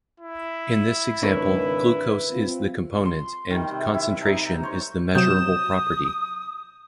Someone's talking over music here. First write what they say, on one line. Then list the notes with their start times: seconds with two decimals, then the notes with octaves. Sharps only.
In this example "glucose" is the component and "concentration" is the measurable property.
0.20 E4
1.23 G#1 C#2 D4 A#4 B4 C#5
2.31 C4 F4
3.05 C6
3.50 D#3 G3
3.71 C3
3.94 E4
4.22 D#4 A#5
4.63 C5 C#5
5.15 C3 F#3 D#6 G6 E7